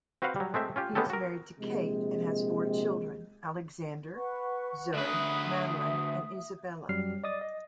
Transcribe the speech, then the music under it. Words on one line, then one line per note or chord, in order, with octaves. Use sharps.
He is married to Kate and has four children: Alexander, Zoe, Madeline and Isabella.
C4 F#4 B4 C5 F5 F#5
F#3 G3
G#3 A3 C4 E5
C#4 F4 G4
G#3 B3 C#4 G4 A4
F#4 A#4
A#1 C3 G#3
B4 F#5 C#6
D2 B4 E5 D#6
F#2 F#3 G3 F6 C7
D5 D#5 D#6 A6
D#5